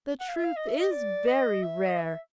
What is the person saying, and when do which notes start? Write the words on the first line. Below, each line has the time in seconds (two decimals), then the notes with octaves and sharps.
The truth is very rare.
0.20 F#5
0.29 F5
0.35 E5
0.44 F5
0.56 D#5
0.67 E5
0.79 D#5
0.91 D5
1.27 D#5
1.62 E5
1.87 D#5
1.98 E5